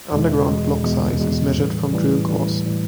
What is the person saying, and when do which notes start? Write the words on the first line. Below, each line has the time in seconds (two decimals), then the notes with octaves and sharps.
Underground block size is measured from drill cores.
0.12 E2 B2 G#3
0.48 E2 B2 G#3
0.84 E2 B2 G#3
1.20 E2 B2 G#3
1.57 A2 E3 G3
1.93 A2 E3 G3
2.29 A2 E3 G3
2.65 A2 E3 G3